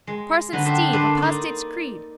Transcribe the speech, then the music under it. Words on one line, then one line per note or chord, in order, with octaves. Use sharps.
Parson Steve, apostates' creed!
G#3
D3 F#3 D#4 B4
D4 A4 C5 E5 G5
A#3 D4 A4 B4 C5
D#4 D5